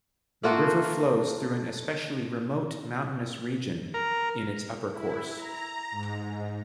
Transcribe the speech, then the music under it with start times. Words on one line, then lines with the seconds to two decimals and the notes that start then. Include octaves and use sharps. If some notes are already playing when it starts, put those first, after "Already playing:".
The river flows through an especially remote mountainous region in its upper course.
0.43 A3 A#3 F4 F#4
3.94 A#4
4.90 E4
5.35 A#5
5.91 G#2